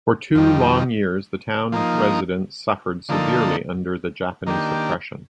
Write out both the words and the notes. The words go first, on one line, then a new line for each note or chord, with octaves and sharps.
For two long years, the town residents suffered severely under the Japanese oppression.
F2 D#3 G3
F3 A#3 D#4
D3 F3 A#3 D#4 A4
D#3 A#3 D4 G4